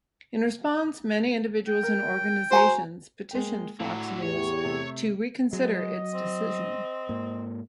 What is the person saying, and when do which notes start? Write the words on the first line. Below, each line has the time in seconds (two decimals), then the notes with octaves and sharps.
In response, many individuals and organizations petitioned Fox News to reconsider its decision.
1.68 G5
1.83 A#4
2.51 F#4 C5 G#5 A#5
3.31 G#3 A#3 G5
3.80 A2 D3 F#3
4.22 E2 G4 C#5
4.64 C3 A3 A4
5.53 F#3 G#3 D#5
6.14 C4
7.09 G#2 A#3